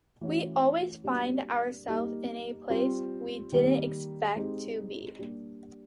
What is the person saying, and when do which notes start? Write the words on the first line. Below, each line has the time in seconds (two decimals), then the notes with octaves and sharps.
We always find ourselves in a place we didn't expect to be.
0.21 E3 A3 C#4 F#4
1.04 G3 A#3 D4 F#4
1.87 G3 A#3 D#4 G4
2.70 G3 C4 F4
3.52 D#3 G3 A#3
4.36 G#3 C4 D#4 G4
5.19 G3 A#3 D4 G4